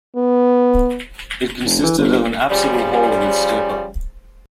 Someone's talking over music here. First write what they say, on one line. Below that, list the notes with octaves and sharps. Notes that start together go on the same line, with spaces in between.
It consisted of an apsidal hall with stupa.
B3
F1
E3
G1
C#3 F3 G3